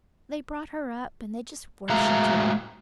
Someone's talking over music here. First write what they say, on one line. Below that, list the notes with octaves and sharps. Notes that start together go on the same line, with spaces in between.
They brought her up and they just worshipped her.
A2 G#3 F#4 E5 F5 A#5